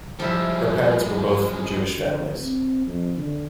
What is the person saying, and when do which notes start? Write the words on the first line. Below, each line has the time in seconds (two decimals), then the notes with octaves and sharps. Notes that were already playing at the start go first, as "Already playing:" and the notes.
Her parents were both from Jewish families.
0.20 F3 G3 G#3 E4 E5
1.98 D3
2.40 C4
2.87 F2
3.17 D3